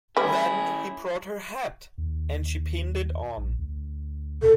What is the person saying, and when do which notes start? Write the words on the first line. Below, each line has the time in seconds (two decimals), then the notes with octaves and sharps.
Then he brought her hat, and she pinned it on.
0.17 G3 C#4 E4 G#4 B4
1.98 D#2
3.37 A#1
3.59 D2
4.42 B2 A4